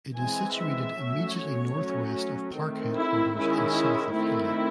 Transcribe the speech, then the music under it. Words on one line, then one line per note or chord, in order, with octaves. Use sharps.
It is situated immediately northwest of park headquarters and south of Healy.
E3 G#3 C4 G#5
E5
F#3 A3 C#4
C#5
F#3 A3 C#4
D#3 A3 C4
E4
D#3 G#3 C#4 E4
D#3 A3 C4 E4